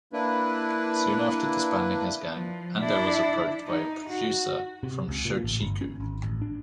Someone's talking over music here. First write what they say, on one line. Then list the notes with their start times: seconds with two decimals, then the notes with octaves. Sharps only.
Soon after disbanding his gang, Ando was approached by a producer from Shochiku.
0.13 A#3 D4 E4 B4
2.32 F3
2.79 D4 E4
3.65 D#4
4.09 F#4
4.83 C3
5.09 C#2
5.25 A#2
5.44 A1
5.60 G1
5.81 C#4
6.00 G#1
6.24 A1
6.42 D4